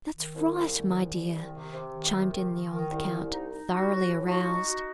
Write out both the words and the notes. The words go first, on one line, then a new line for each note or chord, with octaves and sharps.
"That's right, my dear," chimed in the old count, thoroughly aroused.
D#3
C2
C2
D#3
C2
C2
D#3
C3
C3
D#3
C3
D#3
D#3
D#3
C2
C2
D#4
D#4
F#4
A2
A2
F#4
D#4
F#4